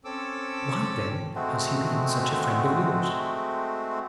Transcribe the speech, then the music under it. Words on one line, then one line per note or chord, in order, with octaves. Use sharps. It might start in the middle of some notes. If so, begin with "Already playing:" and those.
"Why, then, has he been such a friend of yours?"
C4 C#4 A4 D6 E6
G#3 A3 C4 F#4